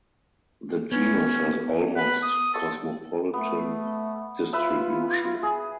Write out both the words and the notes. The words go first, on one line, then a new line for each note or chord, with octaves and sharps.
The genus has almost cosmopolitan distribution.
B3 C#4
B4
D#6
A4
A3 B3
F4 B4 E5 B5
G#4